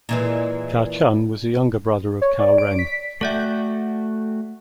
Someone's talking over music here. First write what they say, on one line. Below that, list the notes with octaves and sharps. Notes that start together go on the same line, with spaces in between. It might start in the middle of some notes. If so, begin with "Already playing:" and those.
Cao Chun was a younger brother of Cao Ren.
A#2 E3 G#3
C#5
D5
D7
B6
A3 F#4 A4 D5 E5 G5